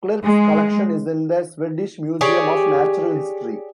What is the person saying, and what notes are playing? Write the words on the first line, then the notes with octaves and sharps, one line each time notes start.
Clerck's collection is in the Swedish Museum of Natural History.
G#3
G4 G#4 C#5 D5